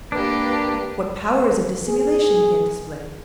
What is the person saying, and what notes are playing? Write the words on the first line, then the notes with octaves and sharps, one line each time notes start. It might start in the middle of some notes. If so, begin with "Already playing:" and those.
What powers of dissimulation he had displayed!
A#3 D4 G4 B4
G#4